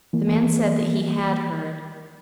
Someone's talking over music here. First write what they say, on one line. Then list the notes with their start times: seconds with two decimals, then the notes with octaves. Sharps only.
The man said that he had heard.
0.13 E3 A#3